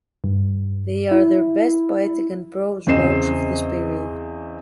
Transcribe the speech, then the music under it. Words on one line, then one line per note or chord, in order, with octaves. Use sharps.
They are their best poetic and prose works of this period.
G2
E4
E2 C#3 C4 D#5 C7 E7